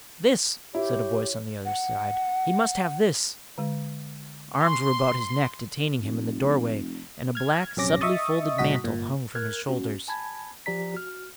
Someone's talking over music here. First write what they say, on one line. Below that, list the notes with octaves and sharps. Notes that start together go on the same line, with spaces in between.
"This," said a voice on the other side, "he must have this." Arms were about his neck detaining him in the doorway, and a black subtly-folding mantle hung from his shoulders.
E4 G4 C#5
F#5
D3 G#3
G#5 C6 C#6
F1
F6 G#6
A#1 F#2 C3 C#4 D6 A#6
D#5 E5 C#6 D#6 A6
B1 G#2 F#4 D#5 B6
G1 A#2
A#4 F6 F#6 G#6
A#3 C#4 F#4
G#5 A5 B5 G#6
F3 G4 D5 A#5 B6
F#4 F6